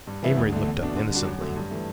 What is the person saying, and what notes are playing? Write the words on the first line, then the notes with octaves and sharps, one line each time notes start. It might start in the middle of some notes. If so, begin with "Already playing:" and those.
Amory looked up innocently.
G2
E3 B3 E4
D2
D3 A3
E2
B2 A3 D4
D3
G3 D4 F#4
F#2
D3 F#3 A3
G2
E3 A3